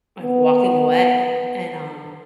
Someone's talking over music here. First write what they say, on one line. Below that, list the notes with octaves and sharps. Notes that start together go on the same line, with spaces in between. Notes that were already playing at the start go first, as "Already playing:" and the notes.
Like walking away and, um
B3